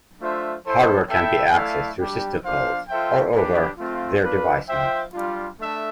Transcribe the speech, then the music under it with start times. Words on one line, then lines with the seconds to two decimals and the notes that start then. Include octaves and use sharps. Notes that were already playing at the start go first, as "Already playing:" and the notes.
Hardware can be accessed through system calls or over their device nodes.
0.19 A3 D4 F4 C5 E5
0.64 E4 A4 C5
1.09 E4 A4 E5 G5
1.54 A3 E4 A4 D5 F5
1.99 G3 D4 G4
2.44 D4 F4 C5 F5
2.88 F4 A4 C5 E5 G5
3.33 D4 G4 B4
3.78 A3 C4 F4
4.23 D4 F4 B4
4.68 F4 C5 E5 G5
5.13 G3 D4 F4
5.58 A3 D4 A4 E5